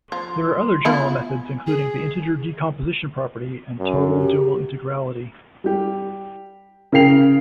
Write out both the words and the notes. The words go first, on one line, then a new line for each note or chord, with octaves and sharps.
There are other general methods including the integer decomposition property and total dual integrality.
F3 A#5 C6
B3 E4 F4
G#5
G#4 G#5
F#2
G4
G3 G4
C#3 A#4 F5 G5 C7 F7